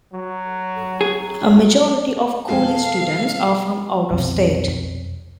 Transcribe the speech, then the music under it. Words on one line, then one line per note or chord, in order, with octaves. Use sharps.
A majority of Cooley students are from out-of-state.
F#3
F#3 G#4
F2 B2 G#3 F4 G#4 A4 F5
B1 F2 C3